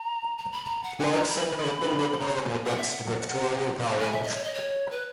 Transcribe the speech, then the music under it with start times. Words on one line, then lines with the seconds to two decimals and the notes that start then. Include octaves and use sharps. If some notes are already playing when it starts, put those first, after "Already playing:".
Clarkson opened at home against Victoria College.
Already playing: A#5
0.38 A#5
0.52 B5
0.65 A#5
0.83 F#5
0.99 G#5
1.13 A#5
1.29 B5
2.19 A#5
2.42 G#5
2.65 F#5
2.78 E5
2.91 F#5
4.00 G#5
4.12 E5
4.23 D#5
4.34 C#5
4.44 D#5
4.54 C#5
4.91 B4